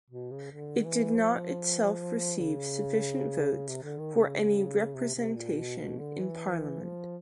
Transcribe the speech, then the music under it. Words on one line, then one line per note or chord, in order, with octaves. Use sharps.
It did not itself receive sufficient votes for any representation in Parliament.
B2
C#3
D3
E3
F3
C#3
C3
D3
D#3
C#3
C3
C3
A#2
B2
B2
D3
E3
F3